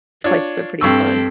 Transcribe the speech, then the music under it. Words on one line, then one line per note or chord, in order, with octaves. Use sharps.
places are pretty fun.
D4 F4 C#5
G2 C4 A4 C#6 E6